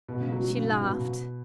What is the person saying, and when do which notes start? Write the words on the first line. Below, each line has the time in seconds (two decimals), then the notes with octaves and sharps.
She laughed.
0.08 B2
0.21 C#3
0.32 F#3
0.44 F#3
0.57 C#3
0.68 G#2
0.81 B2
0.93 B2